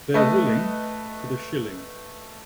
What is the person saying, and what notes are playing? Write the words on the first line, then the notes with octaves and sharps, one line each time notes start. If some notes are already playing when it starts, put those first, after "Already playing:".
They're willing - for the shilling.
A3 B4 D#5